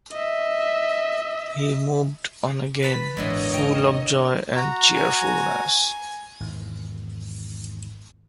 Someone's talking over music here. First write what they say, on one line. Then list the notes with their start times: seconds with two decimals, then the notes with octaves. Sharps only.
He moved on again, full of joy and cheerfulness.
0.12 D#5 E5
2.83 B4 A5 B5 B6
3.17 G#1 E2 A#2 D3 E3 C#5 D#5
3.54 G5 A#5
4.56 F#4 A#5
4.95 G#5
6.40 G#1 E2